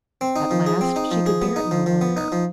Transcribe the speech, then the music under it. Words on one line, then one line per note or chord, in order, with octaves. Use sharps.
At last she could bear it no longer.
C4
D#4
F3
G#4
C4
D#4
F3
G#4
B3
D#4
F3
F3
B3
D#4
F3